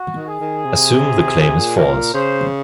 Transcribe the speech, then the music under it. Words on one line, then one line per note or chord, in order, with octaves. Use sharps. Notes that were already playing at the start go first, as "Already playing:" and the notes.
Assume the claim is false.
Already playing: F#4
D#3
G#4
D#3
C3
A#2 G#4
C3
A#2
A#4
C#3 C5